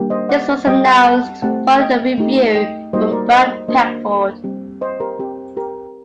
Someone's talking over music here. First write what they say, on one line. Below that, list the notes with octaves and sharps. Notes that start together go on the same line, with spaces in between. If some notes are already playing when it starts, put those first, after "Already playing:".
This was announced following a review from Brian Peckford.
Already playing: G3 A#3 D4 G4
C5 D#5
D5 F#5
G3 C4 G4 D#5 G5
F#5 A5
F#5 A5
A3 C4 G4 F#5 A5
D#5 G5
A3 D#4 G4
D#5 G5
G3 A#3 D#4 F#4 C5 D#5
A#4 D5
C5 D#5
A#3 D4 F#4 C5 D#5
G3 C4 G4
C5 D#5
G4 A#4
C4 G4
G4 A#4